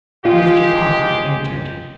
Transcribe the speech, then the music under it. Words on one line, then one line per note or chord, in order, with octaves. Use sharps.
Mr. Parker entered.
G#3 F4 G4